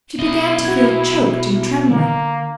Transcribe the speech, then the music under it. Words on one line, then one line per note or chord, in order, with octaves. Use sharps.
She began to feel choked and trembling.
B1 E4 D#5
F#4 G#6
D3 A#3